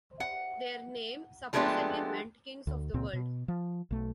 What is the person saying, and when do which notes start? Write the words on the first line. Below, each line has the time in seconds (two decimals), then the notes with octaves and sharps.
Their name supposedly meant "kings of the world".
0.20 F#5
1.53 F3 G#3 A3 B3 D4 G4
2.67 D2
2.94 C#2 A#2 C4
3.13 B2
3.48 F3
3.91 B1 A3